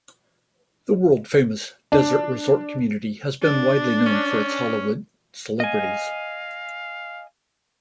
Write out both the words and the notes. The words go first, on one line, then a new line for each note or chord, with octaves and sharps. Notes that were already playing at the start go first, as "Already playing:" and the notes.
The world-famous desert resort community has been widely known for its Hollywood celebrities.
D4
D4
C#4
D#5 F5 G#5